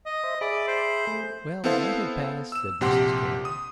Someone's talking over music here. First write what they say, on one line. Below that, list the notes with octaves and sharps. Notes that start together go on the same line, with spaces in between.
"Well, let it pass," said Mrs Carey.
D#5
C5 E5
G#4 D5 E5 B5
C5
A3
B3 C4 E4 A4 C5 F5
E6 E7
A#1 C3 G4 F#5 C6
D#6